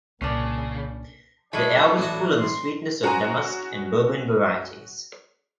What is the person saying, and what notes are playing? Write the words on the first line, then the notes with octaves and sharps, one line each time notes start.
The air was full of the sweetness of Damask and Bourbon varieties.
C2 A#2 C#3 C#4 D4
F#3 G#3 E4 A4 D5 B5
A1 F#4
C6
C#4 F#4 G#4 G#5 A#5 C6